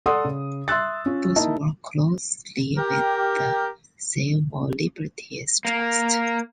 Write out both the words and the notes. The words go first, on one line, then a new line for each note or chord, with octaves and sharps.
Both work closely with the Civil Liberties Trust.
A4 D5 F#5 C6 D#6
C#3
E5 C6 E6 F#6 A6
C#4 F4
A#3 D#4 E4 D#5 A5
G4 A#4
A#3